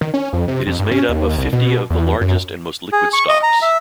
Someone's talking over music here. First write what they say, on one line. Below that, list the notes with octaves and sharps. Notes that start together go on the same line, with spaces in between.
It is made up of fifty of the largest and most liquid stocks.
D#3
C#4
F2
C3
F2
G2
C#4
D#2
C2
B2
E2
F#2
G#4
C#6
D#5
A#5
E5